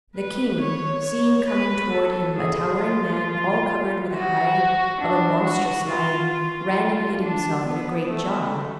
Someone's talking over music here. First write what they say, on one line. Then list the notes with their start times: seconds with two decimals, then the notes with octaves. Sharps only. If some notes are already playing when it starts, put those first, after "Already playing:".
The king, seeing coming toward him a towering man all covered with the hide of a monstrous lion, ran and hid himself in a great jar.
0.16 B4
0.61 C#5
1.04 C#5
1.48 B4
1.93 A4
2.36 G#4
2.80 F4
4.12 F#4
5.01 D4
5.44 F#4
5.89 F4
6.32 F4
7.21 D4
7.64 B3
8.09 A3